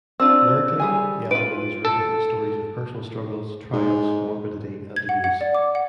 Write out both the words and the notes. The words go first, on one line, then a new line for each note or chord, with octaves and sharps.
Lyrically, the album is rooted in stories of personal struggles, triumphs, morbidity, and abuse.
C4 D4 F4 E6
G3 G#4 G#5
F4 B4 D7
A4
G#2
G#6
F#5
F#5
D5
D6
F#5